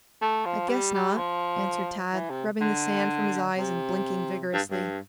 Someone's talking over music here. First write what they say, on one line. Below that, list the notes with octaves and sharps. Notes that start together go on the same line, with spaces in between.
"I guess not," answered Tad, rubbing the sand from his eyes and blinking vigorously.
A3
F3
G3
G3
F3
E3
C3
D3
C3
G2
G2